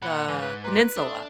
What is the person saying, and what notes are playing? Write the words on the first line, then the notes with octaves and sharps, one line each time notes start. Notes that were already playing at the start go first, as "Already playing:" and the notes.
the Peninsula
A#2 F#5 B5
G#2 E3
B4
B4 A#5 C6 D6
D4 A4 E5 D#6